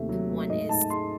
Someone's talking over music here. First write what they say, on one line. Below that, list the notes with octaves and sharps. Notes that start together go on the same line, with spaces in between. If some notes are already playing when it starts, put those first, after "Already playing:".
one is
Already playing: D#2 C3 A3 E5
F#3
A3
G#2 D#5
G#2 A5
G#3 C6